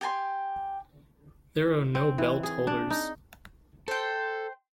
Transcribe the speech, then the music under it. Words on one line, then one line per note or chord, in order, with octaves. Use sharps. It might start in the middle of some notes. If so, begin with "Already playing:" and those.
There are no belt holders.
G4 G#5 A5 C6
C4
E3
G#4
D4
D#4
A4 C5 G5